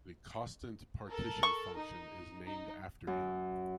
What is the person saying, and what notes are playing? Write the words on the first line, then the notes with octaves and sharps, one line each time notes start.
The Kostant partition function is named after him.
A4 A#4
C#6
D#4
D#4
F#2